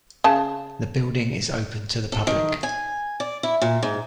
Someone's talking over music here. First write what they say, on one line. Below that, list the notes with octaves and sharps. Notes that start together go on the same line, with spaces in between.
The building is open to the public.
C#3 A5
A4
D#3
G#5
D5
E4
A#2
G#2